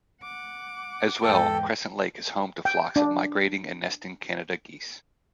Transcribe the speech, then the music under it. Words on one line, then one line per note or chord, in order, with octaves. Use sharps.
As well, Crescent Lake is home to flocks of migrating and nesting Canada geese.
F#5 D6
E2 G#2 E3 A4 G5
G5
D4